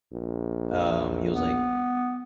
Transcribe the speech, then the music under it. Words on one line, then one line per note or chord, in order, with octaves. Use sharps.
um, he was, like
A#1
B3